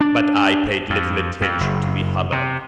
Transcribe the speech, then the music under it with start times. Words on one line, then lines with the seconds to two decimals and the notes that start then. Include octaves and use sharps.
But I paid little attention to the hubbub.
0.01 D4
0.90 F2
1.41 F2
1.61 F#1
2.32 C3